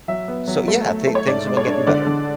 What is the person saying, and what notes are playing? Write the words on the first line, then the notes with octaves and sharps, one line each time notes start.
So, yeah, I thin things have been getting better.
F#3 E5
B3
F#3
A3
A3
A3
C#5
G#2 D5
G#3
C#5
D4
D3 D5
D3